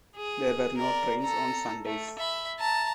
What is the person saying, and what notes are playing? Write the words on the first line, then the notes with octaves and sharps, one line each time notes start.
There were no trains on Sundays.
G#4
A#4 D5
A4 A#5
A3
E5 B5
A5 A#5